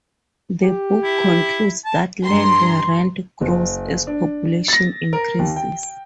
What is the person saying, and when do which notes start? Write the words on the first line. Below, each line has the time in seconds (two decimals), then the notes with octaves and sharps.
The book concludes that land rent grows as population increases.
0.63 G4
1.03 E4
1.85 A5
2.24 G2 A#5 C6
3.41 F#1
4.07 D4
4.68 A6 A#6
5.13 A#4
5.39 D#2
5.56 G5